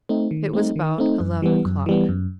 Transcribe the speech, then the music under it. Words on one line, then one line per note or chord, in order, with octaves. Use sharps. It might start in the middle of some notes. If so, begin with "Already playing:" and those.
It was about eleven o'clock.
A3 C4 D#4
D#3
A3 C4 D#4
D#3
A3 C4 D#4
F#2
E3 G3 B3
F#2
E3 G3 B3
F#2